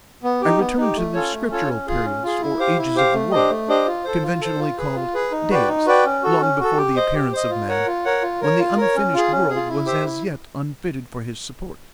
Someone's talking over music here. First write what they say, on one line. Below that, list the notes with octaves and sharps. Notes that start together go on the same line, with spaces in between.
I return to the scriptural periods or ages of the world, conventionally called 'days,' long before the appearance of man, when the unfinished world was as yet unfitted for his support.
B3
D#4 G4
B3
D#4 G4
A3
C#4 F4 A4 C#5
A3
C#4 F4 A4 C#5
C#4
F4 G#4
C#4
F4 G#4
E4
G4 C5 F5
E4
G4 C5 F5
A3
D4 G4 C5 D#5
A3
D4 G4 C5 D#5
F4
A4 C5
F4
A4 C5
F4
G#4 B4
F4
G#4 B4
D#4
F#4 B4 D5 G5
D#4
F#4 B4 D5 G5
C#4
F#4 A4
C#4
F#4 A4
G4
C5 D#5
G4
C5 D#5
F4
A#4 C#5 F#5
F4
A#4 C#5 F#5
F4
A#4 C#5
F4
A#4 C#5
C#4
F4 G#4
C#4
G#4
F4
E4
G4 C5 E5
E4